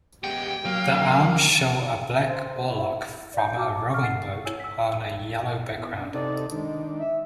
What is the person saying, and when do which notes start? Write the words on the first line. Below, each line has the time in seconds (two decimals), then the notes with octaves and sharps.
The arms show a black oarlock from a rowing boat on a yellow background.
0.24 G#3 B3 G4 G5
0.65 F#3 A#3 F5
2.27 C5
2.70 E4
3.34 D5 G6
3.57 F#4 A5 D6
3.90 C#6 F6
4.02 F#5 G#5 A6 C7
4.45 E4 C#5 G#5 E6
4.60 E6 B6
5.77 B2 E4
5.98 D4
6.14 C3 D#4 A4 D5
6.52 D#3 G#3 D4
7.00 E5